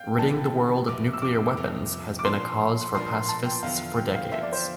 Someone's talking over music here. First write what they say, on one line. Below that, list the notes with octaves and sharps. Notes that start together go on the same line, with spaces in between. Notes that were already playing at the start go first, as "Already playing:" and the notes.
Ridding the world of nuclear weapons has been a cause for pacifists for decades.
Already playing: F5 G5
E3 G3 C4 A5
F2 C3 F3 C4 D6
E6
D6
F2 C3 F3 C4
D6
A#2 F3 A#3 D4 C6
A#2 F3 A#3 D4 C6
A#5
A5
G5
E2 D3 F3 F5
G5
F5
E2 D3 F3 E5
D5
C5